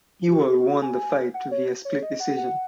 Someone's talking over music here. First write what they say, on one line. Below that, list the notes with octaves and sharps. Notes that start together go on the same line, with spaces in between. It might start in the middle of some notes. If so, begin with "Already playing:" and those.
Ewell won the fight via split decision.
F#4
G#4
F#4
G#5
F#5
C#5
C#5
D#5
F#5
F#5